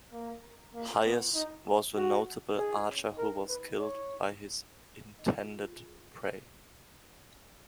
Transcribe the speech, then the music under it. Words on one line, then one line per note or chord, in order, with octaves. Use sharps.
Hyas was a notable archer who was killed by his intended prey.
A#3
A#3
B3
D#4
F#4
G#4
A#4
B4
C#5